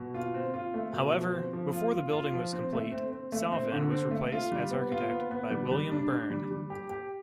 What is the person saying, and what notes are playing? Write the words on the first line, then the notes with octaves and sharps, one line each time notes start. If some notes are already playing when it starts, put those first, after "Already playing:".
However, before the building was complete, Salvin was replaced as architect by William Burn.
Already playing: B2
F4
C4
F4
A3
B2
F3
C4
F3
F4
F4
F4
F3
C4
A3
C4
C4
A3
C4
D3
C4
A3
F4
G3
B3
F4
B3
B3
G3
G3
D4
D4
G3
G3
G4
G4